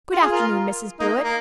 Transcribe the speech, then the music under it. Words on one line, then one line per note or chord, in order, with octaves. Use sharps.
Good afternoon, Mrs. Blewett.
F4
G#4
F4 A#4
A#3 D#4
A#3